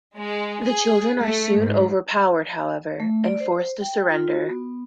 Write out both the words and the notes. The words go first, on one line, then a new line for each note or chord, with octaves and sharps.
The children are soon overpowered, however, and forced to surrender.
G#3
G#4
A3
G#2
A3
D5
C5
G5
F4
F#4
B3